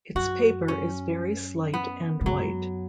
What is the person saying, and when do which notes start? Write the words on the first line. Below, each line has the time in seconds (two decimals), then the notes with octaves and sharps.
Its paper is very slight and white.
0.15 F#2 F#4
0.68 C#4
1.74 B3
2.21 G#2
2.26 F#2 F#3